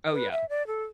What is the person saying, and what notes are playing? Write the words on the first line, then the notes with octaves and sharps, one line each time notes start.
Oh, yeah.
B4
E5
D5
A4